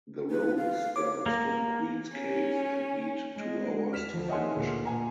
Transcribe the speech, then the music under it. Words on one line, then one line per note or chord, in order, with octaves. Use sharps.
The road starts from Queen's Cave and need two hours to finish.
B4
F5
C#5 D6
A#3
C#4
G#3
F6 B6 E7 F7
D2 F3
C#5 D#5 E5 F#5 G#5 C6
D2 A#2 G#4
A#2 G#5 A#5